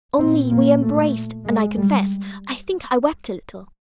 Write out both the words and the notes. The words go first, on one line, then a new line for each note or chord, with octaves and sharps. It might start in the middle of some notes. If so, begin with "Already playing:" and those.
Only we embraced, and I confess, I think I wept a little.
A#2 C4
A#3
A3
G#3
G3